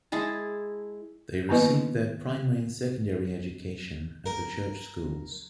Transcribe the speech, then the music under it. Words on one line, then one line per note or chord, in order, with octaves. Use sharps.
They received their primary and secondary education at the church schools.
G#3 E4 G#4 A5
D#3 A#3 B3 E4 B4 D#5
A#4